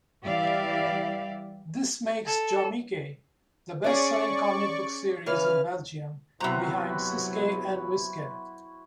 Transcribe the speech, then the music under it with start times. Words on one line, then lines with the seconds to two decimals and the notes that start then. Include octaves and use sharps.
This makes Jommeke the best-selling comic book series in Belgium behind Suske en Wiske.
0.22 E3 G3 G4 D5 E5 F5
2.26 A4
3.84 C#4 G#4 D5 C#6
5.26 C#3 E3 B4 F6
6.40 C3 F#3 B3 E4 F#4 C5 A#5